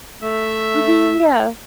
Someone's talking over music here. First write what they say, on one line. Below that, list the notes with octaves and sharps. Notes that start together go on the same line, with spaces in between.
Mhm, yeah.
A3 E5